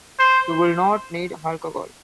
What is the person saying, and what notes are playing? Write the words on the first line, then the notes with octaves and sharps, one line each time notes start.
You will not need alcohol.
C5